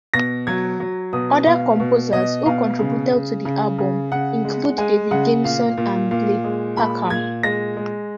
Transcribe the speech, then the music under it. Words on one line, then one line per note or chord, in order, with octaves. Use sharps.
Other composers who contributed to the album include David Gamson and Blair Packham.
B2 A#6
F#3 G#6
F#3
B2 D#6
B2 F5
B2
B2 D#5
B2 F5
C#3
C#3
C#3
C#3
C#3 F#5
G#3
G#3 G#5
C#3 F#5
A#2 F5
A#2
A#2 F5
G#3
A#2 B5
A#2 G#6
G#3 A#6
G#3